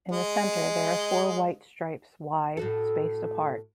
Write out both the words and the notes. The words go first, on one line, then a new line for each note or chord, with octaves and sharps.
In the center there are four white stripes wide, spaced apart.
G#3 D#5
A2 F#4 A4